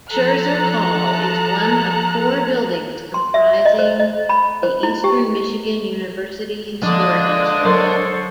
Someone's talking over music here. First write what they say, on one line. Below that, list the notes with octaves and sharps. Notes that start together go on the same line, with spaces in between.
Sherzer Hall is one of four buildings comprising the Eastern Michigan University Historic District.
F3 A4 A#5 F#6
C6
E5
D#5
C5
D#5
B5
C5
E4
G4
D3 F3 G#3 A#3 D4 D#6
F#3 A4 A#4 C5 C#5 C6